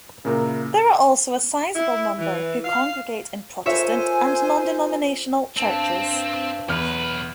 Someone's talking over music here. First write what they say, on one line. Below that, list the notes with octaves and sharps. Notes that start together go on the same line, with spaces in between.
There are also a sizable number who congregate in Protestant and non-denominational churches.
A#2 C#3 E4 A#4
E4
E3
F5
F4 A4 A#4 C5 C#5 E5 G#5
G2 C4 D4 G5
B1 E2 B4 F6